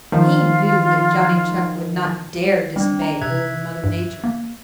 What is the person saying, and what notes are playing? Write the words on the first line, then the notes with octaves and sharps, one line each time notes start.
He knew that Johnny Chuck would not dare disobey Old Mother Nature.
D#3 F3 F4
G3 C4 D4
A#5
C3 E5 F#6 G#6
G2
A#3